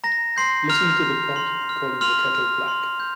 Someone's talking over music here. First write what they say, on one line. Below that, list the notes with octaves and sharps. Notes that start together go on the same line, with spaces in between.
Listen to the pot calling the kettle black.
A#5 A#6
C6 G6 C7
A#5 F6 F7
F6
C6
F6
C6 F6 F7
F6
C6
G6